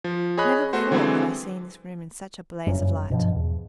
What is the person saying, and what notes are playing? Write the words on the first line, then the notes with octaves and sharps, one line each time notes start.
Never before had I seen this room in such a blaze of light.
F3
G#4 C#5 D#5 B5 F#6
A3 B3 F#4 C5
D3 E3 F#3 G#3 C4
F#1 G2 F#3 C#4
G2 B2 F3
E2